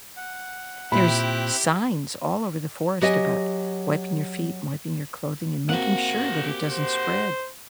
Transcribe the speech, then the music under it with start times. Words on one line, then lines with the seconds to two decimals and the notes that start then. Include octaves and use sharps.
There's signs all over the forest about wiping your feet, wiping your clothing, and making sure that it doesn't spread.
0.17 F#5
0.92 A#2 C4 E4 G4 B5 F#6
3.01 F#3 G4 D#5 G#5
5.69 A#3 C4 F#4 G4 F#5
6.70 C5